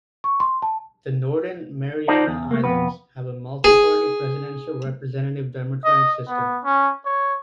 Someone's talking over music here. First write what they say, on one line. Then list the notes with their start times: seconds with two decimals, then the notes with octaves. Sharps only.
The Northern Mariana Islands have a multiparty presidential representative democratic system.
0.24 C#6
0.40 C6
0.62 A5
2.08 D#4 F4 C5 D5 D#5 A5
2.27 E2
2.51 A3 A#3
2.64 F2 B3 B4
3.64 G#4
5.85 D#5
6.28 B3
6.64 C#4
7.05 C#5